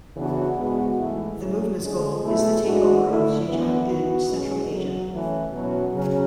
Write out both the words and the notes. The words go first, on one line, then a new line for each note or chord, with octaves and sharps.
The movement's goal is the takeover of Xinjiang and Central Asia.
C#3 E3 B3 D4 F#4
G#2 G#3 B3 F#4
G#2 E3 A3 E4
A2 F#3 C#4 G#4
D3 G#3 C#4 G#4
B2 A3 E4 G#4
G#2 G#3 D4 F#4
D3 A3 E4
F#2 E3 B3 D4
E3 B3 F#4
B2 G#3 C#4 G#4
E2 C#3 F#3
E3 A3 C#4
B2 F#3 C#4
C#3 F#3 C#4